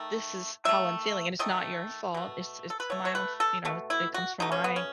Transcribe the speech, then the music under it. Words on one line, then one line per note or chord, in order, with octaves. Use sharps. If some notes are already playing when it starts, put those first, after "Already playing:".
"This is how I'm feeling and it's not your fault, it's it's my own f you know, it comes from my
Already playing: D#3 A3
D#3 A3 E5
D#3 A3 D#5
B2 A3
A4
B4
B2 A3 C#5
C#5
B4
A4
B2 A3
E4
F#4
B2 A3 D#4
C#4
B3
C#4